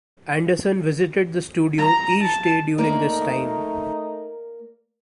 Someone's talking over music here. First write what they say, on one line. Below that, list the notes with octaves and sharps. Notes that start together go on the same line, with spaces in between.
Anderson visited the studio each day during this time.
A#5
A5
A3 A#3 D#4 A#4 D5